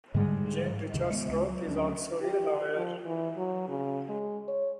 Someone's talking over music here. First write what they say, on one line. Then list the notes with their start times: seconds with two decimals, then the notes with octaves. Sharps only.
Jane Richards Roth is also a lawyer.
0.14 G#2 D3 G3 G#3
0.94 D2 C3 D#3
1.10 G#3 B3
1.29 C#2 G#3
1.49 F#3
1.68 D2 F#3 C#4 D4
2.21 G4
2.76 F3
3.06 E3
3.37 F#3
3.68 C#3
4.09 G#3
4.48 C#5